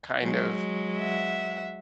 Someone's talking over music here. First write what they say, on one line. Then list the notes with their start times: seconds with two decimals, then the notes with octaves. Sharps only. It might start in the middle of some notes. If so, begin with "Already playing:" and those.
kind of
0.20 F#3 G#3
0.97 E5 F#5